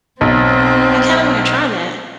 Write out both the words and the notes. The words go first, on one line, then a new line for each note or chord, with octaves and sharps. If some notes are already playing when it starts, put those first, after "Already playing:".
I kinda wanna try that.
B1 C4